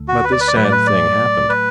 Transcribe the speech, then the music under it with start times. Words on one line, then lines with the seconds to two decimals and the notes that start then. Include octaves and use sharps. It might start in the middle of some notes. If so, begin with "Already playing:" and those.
But this sad thing happened.
Already playing: D2 D3 A3
0.08 F#4
0.24 B4
0.32 D5
0.40 B4
0.48 D5
0.56 A2 F#3 A3 B4
0.64 D5
0.72 B4
0.87 D5
1.49 B4